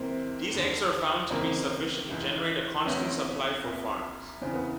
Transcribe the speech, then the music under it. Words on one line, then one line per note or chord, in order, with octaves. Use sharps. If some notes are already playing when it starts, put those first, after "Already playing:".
These eggs were found to be sufficient to generate a constant supply for farms.
Already playing: C#2 C3 E3 A#3 C4
D#2 D3
C#2 C#3 E3 A#3 C4
C#2 C#3 E3
D2 C3 E3 B3 C#4
C2 A#2
E2 C#3 E3 C4
B3